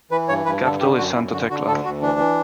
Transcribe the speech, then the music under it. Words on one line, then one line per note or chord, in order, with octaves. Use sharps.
The capital is Santa Tecla.
E3 B4
G2 C#5
G2 B4
D3 A4
D3 G4
F#2 F#4
F#2 E4
D3 F#4
D3 F#4
D2 A4
D2 F#4
E3 D4
E3